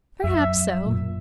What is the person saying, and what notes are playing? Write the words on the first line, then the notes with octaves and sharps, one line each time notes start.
'Perhaps so.
F#2 E5
A#2